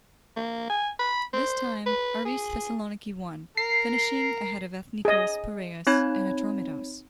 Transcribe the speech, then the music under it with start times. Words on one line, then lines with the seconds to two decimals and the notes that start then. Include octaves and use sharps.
This time, Aris Thessaloniki won, finishing ahead of Ethnikos Piraeus and Atromitos.
0.36 A#3
0.70 G#5
0.99 B5
1.33 C5
1.86 B4
2.25 G#4
3.57 A#4 C7
5.05 G#4 D#5
5.87 C4 D#4 C#5 B5 G#6